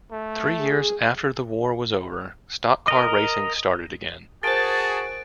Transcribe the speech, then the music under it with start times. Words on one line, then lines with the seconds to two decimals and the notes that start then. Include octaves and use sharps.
Three years after the war was over stock car racing started again.
0.11 A3
0.60 G#4
2.88 A#4 D#5
4.43 F#4 G#4 A#4 C5 A5 A6 D7